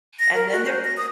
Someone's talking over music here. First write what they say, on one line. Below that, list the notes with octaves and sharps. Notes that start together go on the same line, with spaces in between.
and then there
A#6
A#4
F#4
C5
A#6
D#6